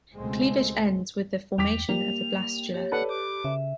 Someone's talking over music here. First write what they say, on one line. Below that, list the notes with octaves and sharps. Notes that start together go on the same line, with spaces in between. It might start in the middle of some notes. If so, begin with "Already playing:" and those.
Cleavage ends with the formation of the blastula.
C#2 B2 G#3 A3 C4
E2 G5 D6 B6 F7
G3 A#3 F7
G4 C#5
A4 B4 D5 F#5
G4 D6
C#3 E5